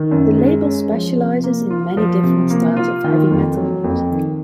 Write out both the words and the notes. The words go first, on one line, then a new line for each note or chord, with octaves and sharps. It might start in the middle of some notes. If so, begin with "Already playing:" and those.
The label specializes in many different styles of heavy metal music.
Already playing: D#3
F#2
G#3
C#4
F3
C3
A#3
F4
F3
C3
A#3
F4
D#3
F2
F#3
F2
D#3